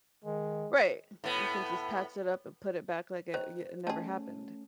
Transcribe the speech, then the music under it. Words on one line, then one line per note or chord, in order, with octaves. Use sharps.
Right. You can just patch it up and put it back like it y it never happened
D#3 G#3
A2 B3
D#3 C5
D#3 A3 C#4 G#4 A5